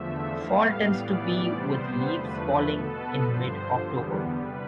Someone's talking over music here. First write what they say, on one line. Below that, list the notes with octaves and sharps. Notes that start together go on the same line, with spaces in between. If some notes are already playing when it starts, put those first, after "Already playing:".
Fall tends to be with leaves falling in Mid-October.
Already playing: E2 D3 F3 A3 E5
A2 G3 B3 F5
A2 E3 G3 B3 D5
C3 G3 B3 C5
E2 D3 F3 A3 B4
B2 B3 A4
B4
G2 D3 F3 C5
E2 D3 G3 B3
C3 G3 B4